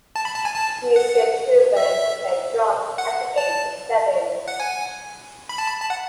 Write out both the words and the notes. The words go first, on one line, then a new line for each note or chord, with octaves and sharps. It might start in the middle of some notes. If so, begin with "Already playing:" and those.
He is said to have learned to play drums at the age of seven.
A5
B5
A5
G#5
A5
F#5
E5
F#5
A5
F#5
G#5
B5
A5
B5
A5
F#5